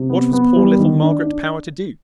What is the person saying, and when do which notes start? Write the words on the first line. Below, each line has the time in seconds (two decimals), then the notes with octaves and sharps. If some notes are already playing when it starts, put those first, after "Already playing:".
What was poor little Margaret Power to do?
Already playing: C3
0.09 B3
0.33 B3
0.56 G3
0.79 D#3
1.02 D4
1.25 D4